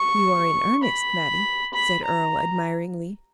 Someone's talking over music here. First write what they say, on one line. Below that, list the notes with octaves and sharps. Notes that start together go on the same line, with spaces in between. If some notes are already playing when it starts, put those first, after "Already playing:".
"You are in earnest, Mattie," said Earle, admiringly.
Already playing: C#6
B5
B5
A#5